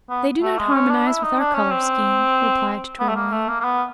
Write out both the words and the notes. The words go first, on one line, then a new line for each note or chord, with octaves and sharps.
"They do not harmonize with our color scheme," replied Tourmaline.
B3
A3
G#3
C#4
D4
E4
D#4
D4
C#4
C4
B3
A3
A#3
A3
A#3
A#3
B3